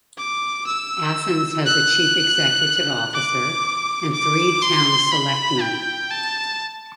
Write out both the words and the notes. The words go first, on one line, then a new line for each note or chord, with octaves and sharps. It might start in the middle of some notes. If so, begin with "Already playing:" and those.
Athens has a chief executive officer and three town selectmen.
D6
E6
F#6
D6
D6
C6
B5
G5
A5